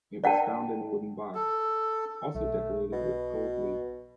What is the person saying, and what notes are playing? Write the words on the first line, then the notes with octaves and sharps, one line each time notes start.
It was found in a wooden box, also decorated with gold leaf.
D5 F#5 G5 A5
A4
B1 A3
B2